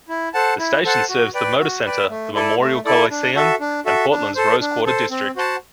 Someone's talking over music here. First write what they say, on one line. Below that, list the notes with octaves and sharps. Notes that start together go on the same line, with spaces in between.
The station serves the Moda Center, the Memorial Coliseum, and Portland's Rose Quarter district.
E4
A4 C5 F#5 A5
E4
A4 C5 F#5 A5
F#4
B4 D5 G5
F#4
B4 D5 G5
A3
E4 A4 D5
A3
E4 A4 D5
D4
F#4 A4 E5
D4
F#4 A4 E5
D4
A4 C5
D4
A4 C5
C4
F#4 C5 F#5 A5